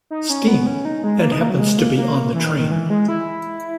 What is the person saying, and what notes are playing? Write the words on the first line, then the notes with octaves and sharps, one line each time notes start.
Steam, and happens to be on the train.
D#4
C#4
B3
C#4
D#4
G#3
A#3
D#4
A#3
F#3
G#3
A#3
A#3
E3
D#3
D#3
E3
G#3
E4